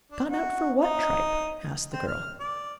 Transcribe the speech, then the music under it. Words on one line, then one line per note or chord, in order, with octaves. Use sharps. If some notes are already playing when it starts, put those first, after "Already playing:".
"Gone out for what tripe?" asked the girl.
D4
F#4
D#4
C4
F6
D5